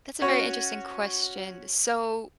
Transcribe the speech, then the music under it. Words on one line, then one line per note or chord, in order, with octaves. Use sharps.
that's a very interesting question, so
C#4 F#4 C#5